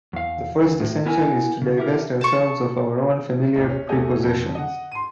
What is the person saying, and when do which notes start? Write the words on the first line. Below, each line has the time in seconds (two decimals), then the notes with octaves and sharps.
The first essential is to divest ourselves of our own familiar prepossessions.
0.13 E2 F5
0.60 D2
0.80 A2
1.06 B3 E4 A#4 G#5
1.62 C#3
1.78 E4 G4 A#4
2.21 A5 C#6
3.54 D1 A1 E2
3.69 C#4
3.89 B1 E2 A3 G4 D#5 G#5
4.23 F2
4.55 D#5 F#5
4.92 C6 D#7